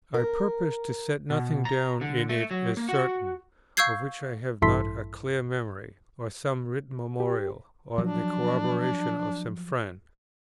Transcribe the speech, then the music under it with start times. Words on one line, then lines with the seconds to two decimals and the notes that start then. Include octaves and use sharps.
I purpose to set nothing down in it as certain, of which I have not a clear memory, or some written memorial, or the corroboration of some friend.
0.14 A#4
1.30 B2
1.65 A#5
2.01 D3
2.29 A3
2.51 F#3
2.77 A#3
2.89 F#4
3.77 F5 C#6 E6 G6 G#6 C7
4.62 A1 G2 E4 A4 C6 B6
7.20 G4
7.98 F3 F#3 D4